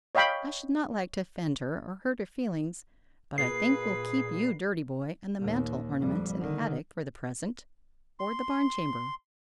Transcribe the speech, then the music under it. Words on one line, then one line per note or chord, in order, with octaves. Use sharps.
I should not like to offend her or hurt her feelings, but I think we'll keep You Dirty Boy and the mantel ornaments in the attic for the present, or the barn chamber.
C#5 D#5 F5 G5 B5
A#2 G#4 B4 C7
D#2 A#2
F2 G3
D3 D#3
C6